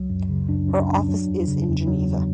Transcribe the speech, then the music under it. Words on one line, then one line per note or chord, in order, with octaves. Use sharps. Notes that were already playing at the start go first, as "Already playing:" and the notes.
Her office is in Geneva.
Already playing: C#2 F#3
F#2
C#3
F#2 D4
F#3 C#4
F#2 D4
F#3
E2
C#3
E2
F#3
E2